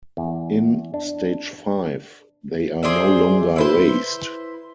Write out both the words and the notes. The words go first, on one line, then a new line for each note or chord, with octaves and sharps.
In stage five, they are no longer raised.
E2
D4
G#4 C5 D5 E5
E4 B4 C5